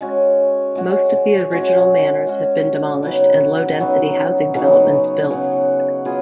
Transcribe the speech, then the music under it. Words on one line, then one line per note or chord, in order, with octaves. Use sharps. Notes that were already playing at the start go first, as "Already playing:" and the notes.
Most of the original manors have been demolished and low density housing developments built.
G#3 C#4 F#4
G#3 C#4 F#4
G#3 C#4 F#4
G#3 C#4 F#4
C#3 F#3 B3 D#4
C#3 F#3 B3 D#4
C#3 F#3 B3 D#4
C#3 F#3 B3 D#4
F#3 B3 F4 G#4